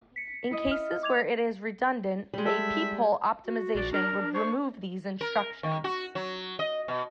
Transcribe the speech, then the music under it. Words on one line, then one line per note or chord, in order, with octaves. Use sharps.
In cases where it is redundant, a peephole optimization would remove these instructions.
B6 C#7
E4 D#5
F6
D6 G#6 F7
G3 G#3
A4 E5
F#4
A#1 D5
D4 A#4
C5 C#6
A#4
D#3
F#4
F#3
D#5
B2